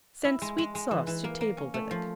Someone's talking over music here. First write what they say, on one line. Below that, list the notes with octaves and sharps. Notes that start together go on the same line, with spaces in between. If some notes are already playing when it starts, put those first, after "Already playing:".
Send sweet sauce to table with it.
E4
G#3
G#3
G#3
E3
E3
A#3
A#3
C#4
A3
F3